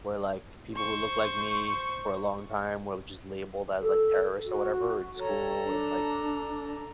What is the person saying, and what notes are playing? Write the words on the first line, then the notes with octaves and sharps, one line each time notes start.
where, like, people who look like me for a long time were l just labeled as, like, terrorists or whatever in school, and, like,
C5 C#6
A4
F#4
A4 C#5 A#5
D4